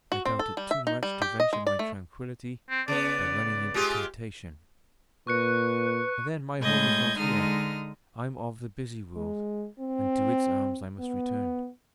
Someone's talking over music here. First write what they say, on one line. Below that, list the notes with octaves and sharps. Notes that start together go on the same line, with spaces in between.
I doubt it too much to venture my tranquillity by running into temptation: and then my home is not here. I'm of the busy world, and to its arms I must return.
F#4
C4
A4
G3
E5
D#4
G3
G4
D#5
G#3
D5
A3
C4
C#3 B3 D5
G#3 F4 G4
A#2 B4 C#6 F#6 C#7
A2 G#3 D#5 G6 G#6
D3 G#3 D#4 D#6 F6
G#3
C4
B3